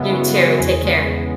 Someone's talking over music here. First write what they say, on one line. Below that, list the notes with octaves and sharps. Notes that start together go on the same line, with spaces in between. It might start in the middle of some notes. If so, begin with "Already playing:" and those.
You too. Take care.
Already playing: F#2 C#3 G#3 B3 E4
F#2 F#4
C#3 G#3 B3
E2 G#4
C#3 G#3 B3
E2